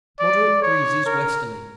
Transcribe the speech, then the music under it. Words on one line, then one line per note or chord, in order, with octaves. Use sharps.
Moderate breezes westerly.
D5
C#5
A#4